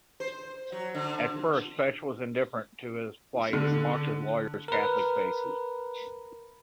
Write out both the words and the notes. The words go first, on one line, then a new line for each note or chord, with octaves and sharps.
At first Fesch was indifferent to his plight and mocked his lawyer's Catholic faith.
C5
F#3
D3
D3
A#4 B4